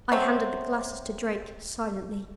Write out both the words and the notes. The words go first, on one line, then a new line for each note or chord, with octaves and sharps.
I handed the glasses to Drake, silently.
F#3 A3 C4